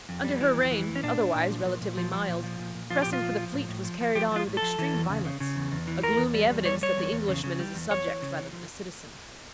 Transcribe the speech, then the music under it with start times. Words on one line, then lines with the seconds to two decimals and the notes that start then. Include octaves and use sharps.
Under her reign, otherwise relatively mild, pressing for the fleet was carried on with extreme violence--a gloomy evidence that the Englishman is a subject rather than a citizen.
0.09 F2
0.24 G3
0.41 E3
0.56 F2
0.71 E3
0.88 F2
0.96 C#4
1.03 A#2 D4
1.19 A#2
1.35 A#2
1.50 F3
1.65 A#2
1.81 A#2
1.97 F3
2.12 F3
2.28 A#2
2.44 F3
2.59 A#2
2.75 A#2
2.90 F3 F4
3.02 A#2 G4
3.13 F4
3.22 F3
3.37 F3
3.53 A2
3.69 A2
3.84 F3
4.00 F3
4.15 F3 G4
4.31 F3 F4
4.47 A2
4.57 A4
4.62 F3
4.79 E3
4.94 E2
5.10 C#3
5.25 C#3
5.40 C#3
5.56 E2
5.72 E2
5.87 E3
6.03 E2 A#4
6.18 E2
6.34 G3
6.50 E2
6.65 G3 C#5
6.81 G3 C#5
6.97 E2
7.12 E2
7.28 C#3
7.44 C#3
7.59 G3
7.75 E2
7.90 E2 C#5
8.06 E3
8.22 C#3
8.37 E3
8.53 F3